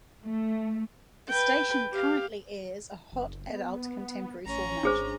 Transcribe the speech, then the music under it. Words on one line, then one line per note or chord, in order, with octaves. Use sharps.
The station currently airs a Hot adult contemporary format.
A3
B4 G5
G4 F5
F#1
B3
A1 C#4 A#5
G#1 D4 G#4 C5